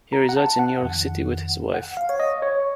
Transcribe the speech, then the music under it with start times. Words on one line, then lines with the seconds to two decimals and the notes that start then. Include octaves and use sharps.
He resides in New York City with his wife.
0.13 A#5
0.29 F#5
0.37 A5
0.59 F#5
0.82 F2 D#3 F#5
1.74 F#5
1.97 F5
2.09 C#5
2.20 D#5
2.42 C#5